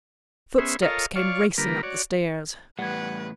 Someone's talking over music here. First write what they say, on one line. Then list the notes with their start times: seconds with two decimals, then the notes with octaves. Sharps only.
Footsteps came racing up the stairs.
0.58 B3 C#4 G#4 C5 E5
0.82 F4 A4 A#4 C#5 D#5 F5
1.16 F4 C#5 D5 F5 C#6
1.58 D3 G3 A#3 F4 A#4 B4
1.83 F#4 C#5 D5
2.79 E2 A2 G3 B4 F#5 G#6